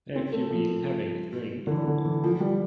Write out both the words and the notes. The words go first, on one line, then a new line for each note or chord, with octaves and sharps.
Have you been having a drink?
C4
A3
F3
D3
E3
D3
E3
F3
G3